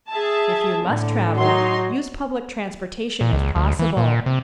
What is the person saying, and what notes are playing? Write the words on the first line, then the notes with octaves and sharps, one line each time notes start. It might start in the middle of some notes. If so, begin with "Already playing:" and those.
If you must travel, use public transportation if possible.
G#4 E5 A5
A2 D3
F#3 D#4 C6
A#2
C#2
D2
E3
A#2
C3